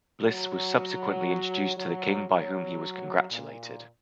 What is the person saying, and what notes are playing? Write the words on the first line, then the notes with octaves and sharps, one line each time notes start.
Bliss was subsequently introduced to the King by whom he was congratulated.
F#3
F#3
F#3
A#2